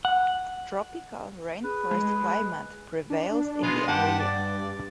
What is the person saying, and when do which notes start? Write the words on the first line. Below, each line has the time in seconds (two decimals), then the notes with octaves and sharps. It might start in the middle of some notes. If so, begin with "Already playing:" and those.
Tropical rainforest climate prevails in the area.
0.05 F#5
1.64 G#4 B4
1.91 G#3
3.10 D4
3.63 B2 G#3 B3 F4
3.88 G2 G4 F#5 A5
4.19 D5